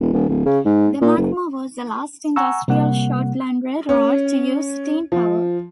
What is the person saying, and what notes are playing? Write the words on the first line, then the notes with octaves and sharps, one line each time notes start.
The Magma was the last industrial short line railroad to use steam power.
E1
D#1
D1
C#3
G#2
A#2
F#1
F#5 G#5 A#5 C#6 E6
C3 G3 A#3 F#5
C#4
F3